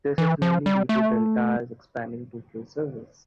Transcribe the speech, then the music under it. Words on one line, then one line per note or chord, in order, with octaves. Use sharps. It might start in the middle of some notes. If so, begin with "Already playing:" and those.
This is mainly due to Delta's expanding Tokyo service.
E3
F3
G3
A3